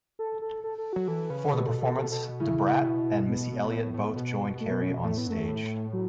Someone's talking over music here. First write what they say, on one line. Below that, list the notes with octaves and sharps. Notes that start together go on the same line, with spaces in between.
For the performance, Da Brat and Missy Elliott both joined Carey on-stage.
A4
A4
A4
A4
F#3 F#4
E3 A4
C#3 B4
B2 B4
A4
A4
A4
A4
C#3 E4
B2
B3
B2
A2
A2
B2
A3
B3
C#4
A2 A3
B3
F#2 A3
A2
F#3